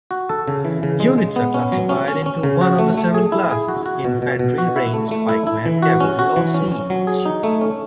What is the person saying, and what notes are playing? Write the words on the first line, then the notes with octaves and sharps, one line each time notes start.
Units are classified into one of several classes: infantry, ranged, pikemen, cavalry, or siege.
F#4
A4
C#3
E3
C#3
G#3
G#3
B3
C#4
F#3
C#4
C#4
C#4
C#3
F#4
A3
A3
G#4
E4
G#4
F#4
F#4
B2
B2
B2
F#4
E4
A3
A3
E4
E4
E3
F#4
C#4
F#4
E3
C#4
C#4
F#3
G#4
D#4
A3
C#4